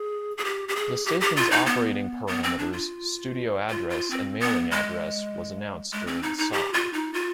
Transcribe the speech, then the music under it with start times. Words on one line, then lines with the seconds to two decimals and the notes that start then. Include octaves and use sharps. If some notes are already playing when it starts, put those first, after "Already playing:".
The station's operating parameters, studio address and mailing address was announced during the song.
Already playing: G#4
0.38 G#4
0.45 G4
0.68 G4
0.76 G#4
1.06 G4
1.21 G4
1.36 F4
1.51 D#4
1.66 B3
2.27 B3
2.43 C4
2.59 D4
2.73 F4
3.69 F4
3.90 F4
4.11 C4
4.40 B3
4.71 G#3
5.93 G#3
6.07 C4
6.23 D#4
6.38 D#4
6.53 G4
6.74 F4
6.93 D#4
7.14 F4